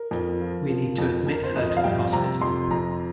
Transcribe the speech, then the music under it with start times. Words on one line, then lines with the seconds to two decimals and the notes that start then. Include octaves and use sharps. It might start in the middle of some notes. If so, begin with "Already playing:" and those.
We need to admit her to the hospital.
Already playing: A#4
0.11 F2
0.41 F3
0.69 F3
0.98 F2
1.27 F2
1.32 A#4
1.44 C5
1.56 F2 D#5
1.69 D#5
1.77 F5
1.84 G3 G5
2.13 C3 A#5
2.41 F2 C6
2.71 F2 A#5